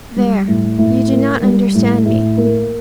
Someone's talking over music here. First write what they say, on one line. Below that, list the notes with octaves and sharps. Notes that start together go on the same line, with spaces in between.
There--you do not understand me.
G3
A2
A2
A#3
G3
A2
A2
A#3